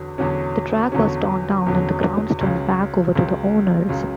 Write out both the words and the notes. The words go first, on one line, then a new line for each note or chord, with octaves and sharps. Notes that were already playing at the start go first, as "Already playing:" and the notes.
The track was torn down and the grounds turned back over to the owners.
Already playing: E2 D3 F#3
E2 D3 F#3 C#4
E2 D3 F#3 C#4
E2 D3 F#3 C#4
C#2 C#3 F#3
C#2 C#3 F#3
C#2 C#3 F#3